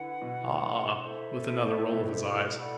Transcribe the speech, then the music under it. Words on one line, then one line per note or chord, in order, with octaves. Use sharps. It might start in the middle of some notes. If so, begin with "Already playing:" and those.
'Ah!' with another roll of his eyes.
Already playing: D3 E4 B4 F#5
B2
E4 A4 C5 E5
A2
B2
A2
A4 D5 F#5 B5